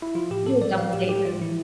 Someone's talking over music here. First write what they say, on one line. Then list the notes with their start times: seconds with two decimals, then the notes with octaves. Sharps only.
Do a double taker.
0.02 E4
0.15 F3 F4
0.31 A2 G4
0.46 A2 A4
0.61 F3 D5
0.77 F3 F5
0.93 A2 G4
1.09 A2 G4
1.25 F3 F4
1.41 E3 E4